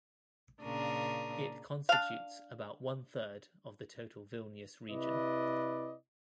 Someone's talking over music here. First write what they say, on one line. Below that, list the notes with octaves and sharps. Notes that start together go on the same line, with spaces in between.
It constitutes about one third of the total Vilnius Region.
A#2 C#3 C#4 D4 A#4 D#6
D4 F5
C3 E4 B4 D5 D#5